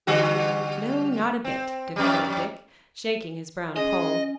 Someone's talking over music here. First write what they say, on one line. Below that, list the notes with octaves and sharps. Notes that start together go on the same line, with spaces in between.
"No, not a bit," declared Dick, shaking his brown poll.
D3 G3 F#4
C4
F2 G3
G#3 C#4 D#5